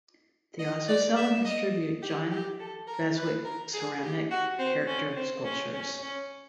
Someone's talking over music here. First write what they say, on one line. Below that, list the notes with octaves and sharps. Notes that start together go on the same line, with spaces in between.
They also sell and distribute John Beswick ceramic character sculptures.
D#5
D5
E5
D#5
G4
G4
A4
A#4
B4
A#4
G#4
G4
F#4
C4
C#4
C4
C#4
C#4
C#4